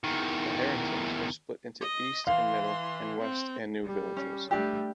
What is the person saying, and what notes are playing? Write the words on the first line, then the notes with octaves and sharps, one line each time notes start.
"The Herringtons" are split into "East and Middle" and "West" and "New" villages.
E2 D#3
D#5
E3 F5 C6
C4
G3
C#4
G3 A3 D4 G4